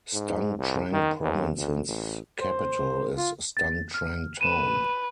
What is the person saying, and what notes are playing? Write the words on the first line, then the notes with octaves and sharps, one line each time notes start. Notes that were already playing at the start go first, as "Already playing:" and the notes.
Stung Treng Province's capital is Stung Treng town.
G#2
C2
D#3
D#2
D2
A1
C5
F4
A6
F6
B4 D#7 E7